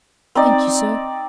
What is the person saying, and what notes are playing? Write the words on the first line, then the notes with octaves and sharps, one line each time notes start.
"Thank you, sir."
C4 D#4 D5